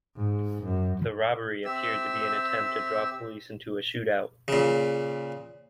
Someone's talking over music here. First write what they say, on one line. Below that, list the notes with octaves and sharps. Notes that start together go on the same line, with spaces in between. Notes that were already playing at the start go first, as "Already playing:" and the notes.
The robbery appeared to be an attempt to draw police into a shootout.
G#2
F#2
C4 G4 E5 E6
A#2 C#3